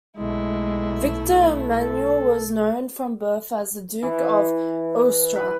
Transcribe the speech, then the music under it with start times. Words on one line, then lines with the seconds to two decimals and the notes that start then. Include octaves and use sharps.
Victor Emmanuel was known from birth as the Duke of Aosta.
0.18 B1 G#3 A3 E4
1.79 A4
4.03 E3
5.36 B4